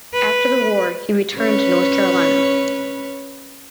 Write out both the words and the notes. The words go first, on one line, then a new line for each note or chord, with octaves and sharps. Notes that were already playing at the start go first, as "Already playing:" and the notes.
After the war, he returned to North Carolina.
B4
C#4 B4 C#5